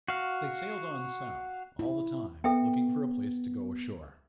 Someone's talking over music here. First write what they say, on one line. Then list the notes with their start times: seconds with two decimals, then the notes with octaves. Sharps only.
They sailed on south, all the time looking for a place to go ashore.
0.08 F#4 F5
1.79 E4
2.44 B3 A4 E5 G5